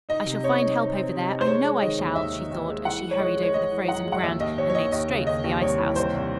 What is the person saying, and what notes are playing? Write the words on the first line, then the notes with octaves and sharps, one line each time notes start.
"I shall find help over there, I know I shall," she thought as she hurried over the frozen ground and made straight for the ice house.
D#4 D#5
C3
C4 C#5
D#4
D#4
C4
C3
D#4
C5
G#3 C#5
G#3
D#3 D#5
D#2
D#2 E5
D#3
D#2
G#3
E3 F#5
G#3
C#5
G#3 D#5
G#3
C#5
G#3 D#5
E3
F#2 F#5
G#3
F#5
D#2 E5
D#2 D#5
D#2 C#5
C#5
D#2 D#5
D#2 D#5
C#3
D#2 D#5
D#2
C2 C#5
E3
C2 C5
C2